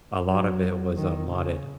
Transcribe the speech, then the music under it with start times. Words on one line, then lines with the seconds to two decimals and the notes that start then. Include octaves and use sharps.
a lot of it was a modded
0.25 F#3
0.96 D#3
1.30 C#3